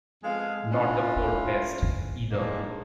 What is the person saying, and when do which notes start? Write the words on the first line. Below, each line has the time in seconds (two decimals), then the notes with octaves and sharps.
Not the four best, either.
0.24 F2 G#3 B3 G#4 F5
0.70 C#4 D4 E4 F4
2.31 A2 F3 G#3 A#3 D4 D#4